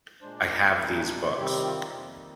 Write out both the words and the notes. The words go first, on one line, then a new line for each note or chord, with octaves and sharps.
I have these books.
A#2 G#3 D4 C5
D5
A#4
D5
C5
A#2 G3 D4 A#4
D#4
F4
C3 D#3 G3 C4 G4
F4
D#4
F2 D#3 A#3